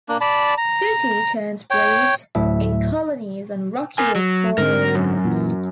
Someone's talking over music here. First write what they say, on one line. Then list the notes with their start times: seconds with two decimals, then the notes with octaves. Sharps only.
Sooty terns breed in colonies on rocky or coral islands.
0.09 A#3 D4
0.21 D5 A5 B5
0.58 A#5
1.70 C#5 G5
2.35 D2 A2 F#3 E5
3.98 A#4 G#5
4.15 F#3
4.58 G#2 D3 C4 A#4
4.95 F#2
5.24 A#2 E3